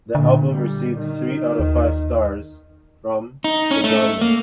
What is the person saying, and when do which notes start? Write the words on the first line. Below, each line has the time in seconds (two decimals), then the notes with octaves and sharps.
The album received three out of five stars from "The Guardian".
0.15 A#2 D3
0.52 G3
0.99 D#3
1.60 D#2
3.44 D#4
3.71 C#4
3.84 A3
4.21 A#3